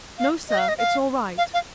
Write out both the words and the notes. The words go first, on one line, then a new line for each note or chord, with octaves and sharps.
"No, sir, it's all right."
F5
D#5
F5
D#5
F5
F5
F5